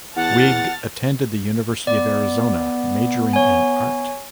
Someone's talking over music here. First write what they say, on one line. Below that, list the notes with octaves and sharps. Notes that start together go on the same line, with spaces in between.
Wiig attended the University of Arizona, majoring in Art.
E2 F#5 A5 F6 A6
B3 D5
C#5 G#5